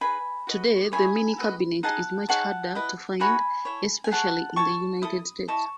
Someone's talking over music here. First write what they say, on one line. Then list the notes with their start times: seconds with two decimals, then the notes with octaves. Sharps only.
Today the mini-cabinet is much harder to find, especially in the United States.
0.01 D#4 G#4 B4 G#5 B5
0.47 F#4 B4 D#5
0.92 E4 G#4 C#5 G#5 B5
1.38 F#4 B4 D#5
1.83 D#4 G#4 D#5 F#5 A5
2.29 D#4 G#4 C#5 F#5 A5
2.75 E4 B4 D#5
3.20 D#4 F#4 C#5 G#5 B5
3.65 E4 A4 C#5
4.04 G#5
4.11 G#4 C#5 F#5 A5
4.56 F#4 C#5 A5 C#6
5.02 E4 A4 D#6
5.48 E4 A4 D#5 A5 C#6